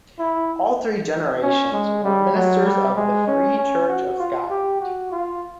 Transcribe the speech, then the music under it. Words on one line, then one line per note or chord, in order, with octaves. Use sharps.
All three generations were ministers of the Free Church of Scotland.
E4
C#4
G#3
G3
F#3
G3
G#3
C#4
C#4
F#4
F4
G4
F#4
F4